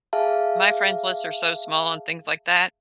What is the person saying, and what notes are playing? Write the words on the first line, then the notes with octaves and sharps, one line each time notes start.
My friends lists are so small on things like that,
G#4 E5 F5 A5